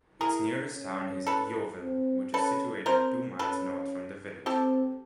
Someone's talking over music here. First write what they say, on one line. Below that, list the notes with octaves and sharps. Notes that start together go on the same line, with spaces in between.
Its nearest town is Yeovil, which is situated two miles north from the village.
E4 G#4 A#4
C#4
A4 B4
C4
C#4 A4 B4
C4 A#4 C5
C#4 A4 B4
C4 G4 A4